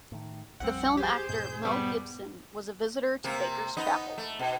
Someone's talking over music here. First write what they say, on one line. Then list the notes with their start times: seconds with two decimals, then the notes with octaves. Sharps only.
The film actor Mel Gibson was a visitor to Baker's chapel.
0.12 A2 D#3
0.60 A#1 F2 G3 C4 F#5
0.97 G4 G#4 C5
1.29 E2 G#2 B2 G6
1.65 G3 B3
3.24 C3 A#3
3.77 B3 D#4 D#5
4.18 A3
4.39 B2